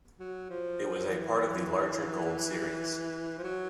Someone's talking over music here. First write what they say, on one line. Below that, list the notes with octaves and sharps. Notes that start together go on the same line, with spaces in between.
It was a part of the larger Gold series.
F#3
F3
E3
F3
F#3